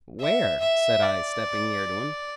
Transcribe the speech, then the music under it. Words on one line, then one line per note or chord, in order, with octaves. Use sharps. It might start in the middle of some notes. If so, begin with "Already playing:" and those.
"Where?" said I, stepping near to him.
E5
E5
D5